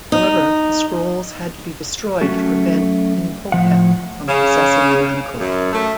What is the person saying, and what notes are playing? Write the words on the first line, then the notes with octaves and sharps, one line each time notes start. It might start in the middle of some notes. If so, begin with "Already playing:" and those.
However, the scrolls had to be destroyed to prevent Imhotep from possessing the manacle.
D#4
F#3 A3 C#4 F#4 A4
A2 F3 F#5
C#3
F#2
A3